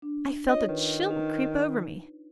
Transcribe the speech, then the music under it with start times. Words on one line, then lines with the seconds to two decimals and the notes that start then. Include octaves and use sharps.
I felt a chill creep over me.
0.02 D4
0.48 F4 C#5 D#5
0.68 D#3 B4
1.11 D#4 B4